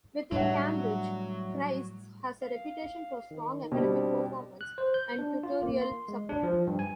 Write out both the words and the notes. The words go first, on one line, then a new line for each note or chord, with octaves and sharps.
Within Cambridge, Christ's has a reputation for strong academic performance and tutorial support.
A2 F#3 G3 D4 C#5 E5 F#5
F5
D#3
B2 G3 C4 D4 G4
F#6
C5
G6
D4
F4
A#3
C6
G#3
D4
F3
G2
G#5